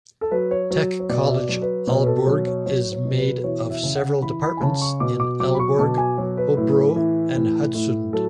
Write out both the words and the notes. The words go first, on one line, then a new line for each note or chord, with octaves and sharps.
Tech College Aalborg is made of several departments in Aalborg, Hobro and Hadsund.
A4
F#3 B4
C#5
F#3 C#5
C#5
B2 D5
E5
D5
F#3
B4
B2 C#5
B4
A4
F#3 C#5
C#5
F#3 C#5
C#5
B2
B4
E3 C#5
E5
C#3
F#5
E3 B5
B5
G#5
C#3 A5
C#6
B2 D6
D6
F#3 D6
B5
C#6
B2 A5
G#5
F#3 C#5
B4
A2
E3
A2
A2
F#3 A4